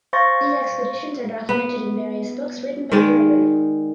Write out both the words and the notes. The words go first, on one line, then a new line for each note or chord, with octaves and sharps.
These expeditions are documented in various books written by Burger.
C5 F5 C6 C#6 A6 A#6
B3
D#3 G#3 D5